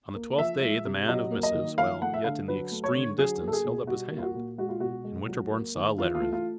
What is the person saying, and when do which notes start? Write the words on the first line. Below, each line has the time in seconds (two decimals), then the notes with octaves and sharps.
On the twelfth day the man of missives, while yet in the extreme distance, held up his hand, and Winterborne saw a letter in it.
0.15 A#3
0.38 F3 E5
0.61 G#3
0.85 C3
1.09 F#3 D#5
1.32 A#3
1.43 D#5
1.54 D#3
1.78 F3 F5
2.01 A3 F#5
2.14 E5
2.24 D3 F5
2.48 F#3 B4
2.71 A3
2.84 C#5
2.95 D3
3.18 F#3 G#4
3.41 A#3
3.48 A4
3.53 G#4
3.64 B2
3.87 G3 F#4
4.11 A#3
4.18 F4
4.22 F#4
4.35 A#2
4.58 G#3 F#4
4.69 F4
4.80 B2 F#4
5.04 G#3
5.28 F#3
5.51 A#3
5.75 D#3
5.98 E3 F4
6.15 F4
6.21 A3
6.33 F4